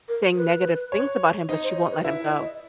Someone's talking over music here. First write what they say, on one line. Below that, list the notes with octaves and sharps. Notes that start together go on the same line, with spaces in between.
saying negative things about him, but she won't let him go.
A#4
B4
C#5
D#4 C5 D#5
C5
C#5
C5
B4
E4 E5
D5
D#5